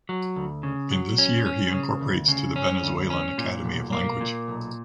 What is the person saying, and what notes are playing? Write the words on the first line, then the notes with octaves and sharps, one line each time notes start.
In this year he incorporates to the Venezuelan Academy of Language.
F#3
D2
C#3
F#3
C#4
C#4
C#3
D2
C#3
C#4
D2
C#4
A#2
B1
A#3
A#2
B1